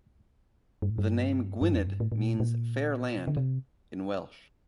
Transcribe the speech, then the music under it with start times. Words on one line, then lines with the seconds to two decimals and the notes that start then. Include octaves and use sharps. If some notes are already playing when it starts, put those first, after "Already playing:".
The name Gwynedd means "Fair Land" in Welsh.
0.82 G2
0.90 A2
0.98 G2
1.61 G2
1.74 F2
1.87 G2
2.00 A2
2.12 A2
2.20 A#2
2.40 A#2
3.18 C3
3.27 D3
3.37 C3